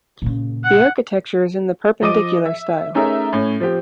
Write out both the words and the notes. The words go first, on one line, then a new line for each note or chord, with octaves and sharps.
The architecture is in the perpendicular style.
A#2 C#3
F#5
F3 D#5 D6 D#7
E5
A3 C#4 D#4 G#4 A#4 E5
A2 C#4
F3 C4 G4